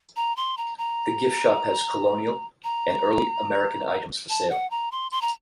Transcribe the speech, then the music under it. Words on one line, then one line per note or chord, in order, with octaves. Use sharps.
The gift shop has colonial and early American items for sale.
A#5
C6
A#5
A#5
A#5
A5
F#5
A#5
C6
C6
A#5